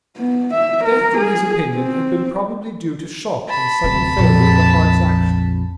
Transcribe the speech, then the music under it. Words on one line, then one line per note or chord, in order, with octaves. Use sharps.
Death, in his opinion, had been probably due to shock and sudden failure of the heart's action.
B3
E5
A#4
G#4
C4
A5 B5
D2 C3
A#1 F2